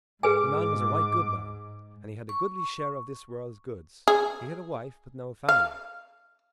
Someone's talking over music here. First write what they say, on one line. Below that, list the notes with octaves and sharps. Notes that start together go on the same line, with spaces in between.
The man was a right good man, and he had a goodly share of this world's goods. He had a wife, but no family.
G#2 G#4 B4 G#5 D6
C#6
G#4
F5